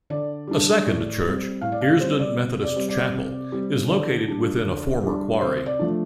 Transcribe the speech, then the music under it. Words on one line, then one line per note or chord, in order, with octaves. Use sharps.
A second church, Earsdon Methodist Chapel, is located within a former quarry.
D3 D5
G3 D4
A2
G3 C4
A2 F5
D5
F5
G3 C4 C5
D5
C3
D5
G3 C4
D5
C3
G3 C4
D3 D5
G3 D4
D3
G3 D4
C3 C5
D5
F3 A3 D4